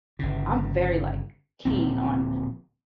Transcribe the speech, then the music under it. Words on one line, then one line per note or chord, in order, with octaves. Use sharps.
I'm very, like, keen on
G1 C#3
D1 A#2 F3 C4